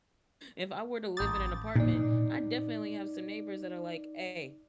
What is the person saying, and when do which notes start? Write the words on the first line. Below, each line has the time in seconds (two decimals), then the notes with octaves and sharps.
if I were to live in an apartment, I'd definitely have some neighbors that are like, "Ay.
1.17 A1 D6 D#6 G6 A6
1.76 A#2 D#4 D5